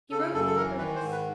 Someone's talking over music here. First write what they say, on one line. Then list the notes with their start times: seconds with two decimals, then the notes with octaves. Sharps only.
He wrote with a purpose.
0.11 C#3 A4
0.33 F#2 A4
0.46 A4
0.55 E3 A#4
0.77 D#3 B4
0.95 C5
1.01 G#2
1.12 B4